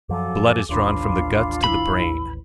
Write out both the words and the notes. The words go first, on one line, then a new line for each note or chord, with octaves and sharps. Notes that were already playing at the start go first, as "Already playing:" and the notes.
Blood is drawn from the guts to the brain.
F#2 F3 F#3 A4 G#5 D6
A1 D#2 D4 F4 F5 B5 C6 D6
E4 B5